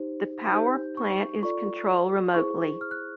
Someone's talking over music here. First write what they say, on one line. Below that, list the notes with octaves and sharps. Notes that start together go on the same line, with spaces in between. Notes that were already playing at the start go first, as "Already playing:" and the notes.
The power plant is controlled remotely.
Already playing: D#4 G4 C5
D#4 G4 C5 G6
C#6
F4 A4 D5 C#6
E4 G#4 C5 C#6
F6
F#6